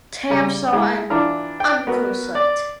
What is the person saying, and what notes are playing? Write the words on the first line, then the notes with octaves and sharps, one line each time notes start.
Tam saw an unco sight!
C#3 G3 A#5 D6
G#3 E4
E3 D4 E4 F4 A#5 F6
G5
B3 F#4 A#4 B4
D5